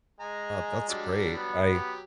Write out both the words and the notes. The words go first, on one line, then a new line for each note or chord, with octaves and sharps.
Oh, that's great. I
G#3 G#5 A#5
F#3 G3 D4
B3
F#3 G4